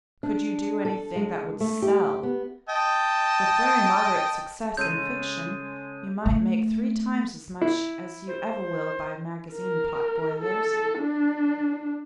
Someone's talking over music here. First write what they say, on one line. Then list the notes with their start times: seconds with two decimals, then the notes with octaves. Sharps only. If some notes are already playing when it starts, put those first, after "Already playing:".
Could you do anything that would sell? With very moderate success in fiction you might make three times as much as you ever will by magazine pot-boilers.
0.23 D4
0.85 A4
1.16 G#3
1.60 A3
1.82 G4
2.23 B3
2.69 D#5 G5 A5
4.77 C#3 G#3 A4 G6 D#7
6.26 A3
7.61 E4
8.27 C5
9.54 A#4
10.40 A4
11.00 D4